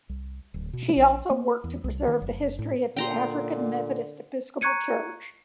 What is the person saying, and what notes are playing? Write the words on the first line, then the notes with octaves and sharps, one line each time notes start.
She also worked to preserve the history of the African Methodist Episcopal Church.
C2
D1
B2
A#1
A#3
E2
C2
D#3
F#1
A2
A#2 D3 G5 A#5 C6
A#5 C#6 F#6 G#6 C#7 D#7